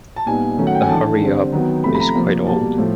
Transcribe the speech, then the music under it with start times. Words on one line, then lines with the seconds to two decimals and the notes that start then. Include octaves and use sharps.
The hurry-up is quite old.
0.16 A5
0.26 A#2 G3 B3 D#4 G#5
0.58 D#3 F#3 A3 C#4
0.67 F#5
0.74 G5
0.82 G#5
0.89 E3 A3 D4 A5
1.21 D3 G3 C4
1.52 D#3 F#3 B3
1.84 C3 F3 A3 B5
1.95 B5
2.00 A#5
2.15 C3 F3 A#3
2.47 B2 G3 A#3 A5
2.78 A2 F3 A3